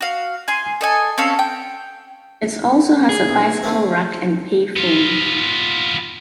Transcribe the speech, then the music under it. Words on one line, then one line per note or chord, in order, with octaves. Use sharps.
It also has a bicycle rack and payphone.
F#4 F5
G#4 G#5 C6
A4 D#5 G#5
C4 C#4 A4 F5
G5
G#4
B1
D3 A3 C4
B3 F4